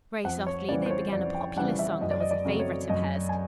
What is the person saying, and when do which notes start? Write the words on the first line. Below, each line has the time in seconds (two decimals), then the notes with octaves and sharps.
Very softly they began a popular song that was a favorite of hers.
0.24 F2 F#5
0.47 C#5
0.68 C#3 D5
0.71 E3 G3
0.86 C5
0.91 C#5
1.13 F2 D5
1.35 G5
1.57 C#3 E3 G3 F#5
1.79 E5
2.01 F#2 D#5
2.11 D5
2.20 D#5
2.31 D5
2.45 C#3 F#3 A3 C4
2.60 C#5
2.89 F#2 D#5
3.29 G#5